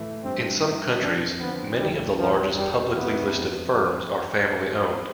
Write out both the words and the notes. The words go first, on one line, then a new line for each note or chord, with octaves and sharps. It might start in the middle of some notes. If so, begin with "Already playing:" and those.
In some countries, many of the largest publicly listed firms are family-owned.
Already playing: A2 E3 A3
G2 C4
E3 B3
F2 D4
D3 F3 B3
D2 G3
C3 E3 F3 G3
E2 G3
C3 E3 B3
F2